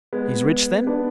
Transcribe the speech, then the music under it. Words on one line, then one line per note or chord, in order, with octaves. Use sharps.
"He is rich, then?"
G#3 B3
B3 D4